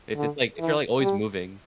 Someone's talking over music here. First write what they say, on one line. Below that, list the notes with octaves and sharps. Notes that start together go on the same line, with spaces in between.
If it's, like if you're, like, always moving.
D3
E3
G3